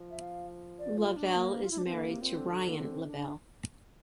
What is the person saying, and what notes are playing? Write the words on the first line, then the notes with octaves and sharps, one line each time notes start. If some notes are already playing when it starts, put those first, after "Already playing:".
Lavell is married to Ryan Lavell.
Already playing: F3
E5
F5
D5
F4
D4
A#3
F4
E4
D4
C4
E3
D3 A#3
C3
A#2 C4
D3
D4
A#3
C4
D4